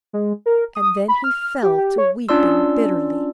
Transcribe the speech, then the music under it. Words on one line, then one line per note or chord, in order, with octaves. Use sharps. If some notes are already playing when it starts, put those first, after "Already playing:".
And then he fell to weeping bitterly.
G#3
A#4
D#6
B5
F6
G4
G4
C#5
C#4 D4 F4 D5 C6 E6